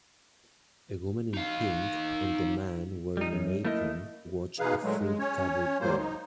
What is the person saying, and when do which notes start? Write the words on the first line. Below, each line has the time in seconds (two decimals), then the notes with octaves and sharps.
A woman in pink and a man wearing an apron watch a food covered grill.
1.34 D#4 F5
3.17 G3 D#4
3.33 F#2
3.65 A3 A#3 E4 A#4 C5 D#5
4.59 B2 E3 D#4 G#4 B4 F5
4.83 A#2 F#3 G#3 A3
4.98 G#3
5.19 C#4 C#5
5.80 G#2 F#3 G3 A#3 C5
5.97 D#4